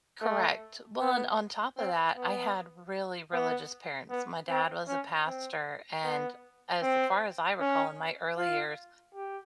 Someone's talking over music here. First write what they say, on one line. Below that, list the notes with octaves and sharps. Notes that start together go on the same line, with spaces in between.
Correct, well, and on top of that, I had really religious parents. My dad was a pastor, and as far as I recall in my early years,
A3
B3
C4
B3
B3
B3
C4
C#4
C4
B3
C4
C#4
F4
G4